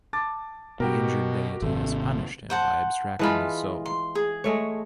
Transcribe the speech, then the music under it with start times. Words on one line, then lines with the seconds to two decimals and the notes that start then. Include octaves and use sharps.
The injured deity has punished him by abstracting his soul.
0.13 A5 D6 A6
0.80 B2 F#4 G4 A#4
1.62 G#1 C3 A3
2.50 C5 F#5 A5
3.19 E3 G#3 F4 A5 B5
3.86 C6
4.15 G#4
4.44 G#3 A3 C#5